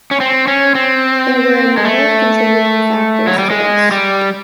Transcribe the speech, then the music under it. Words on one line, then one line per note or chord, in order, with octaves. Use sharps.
There were a number of contributing factors to this.
C#4
C4
C#4
C4
G#3
A3
F#3
G3
G#3
G3